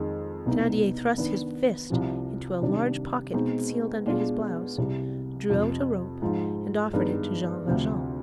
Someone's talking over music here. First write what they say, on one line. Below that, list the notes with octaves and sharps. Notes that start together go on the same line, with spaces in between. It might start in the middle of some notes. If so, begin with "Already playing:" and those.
Thenardier thrust his fist into a large pocket concealed under his blouse, drew out a rope and offered it to Jean Valjean.
Already playing: F2 D#3 G#3
C2 B2 B3 D#4
D#3 B3 D4
C2 C3 F3
C3 D#3 G3 D4
B2 G#3 C4 D#4
B2 G#3 D4 F4
C2 C3 G3
F2 C3 F3
G#2 F3 G#3
G2 D#3 G#3 B3 D#4
D2 C3 F3